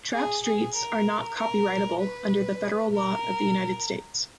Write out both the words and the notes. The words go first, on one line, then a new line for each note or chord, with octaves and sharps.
Trap streets are not copyrightable under the federal law of the United States.
G#4
G#4
A#4
A#4
B4
A#4